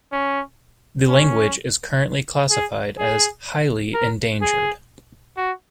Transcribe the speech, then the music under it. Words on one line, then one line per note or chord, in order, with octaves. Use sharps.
The language is currently classified as "highly endangered".
C#4
C#4
G#4
G#4
A#4
G#4
F#4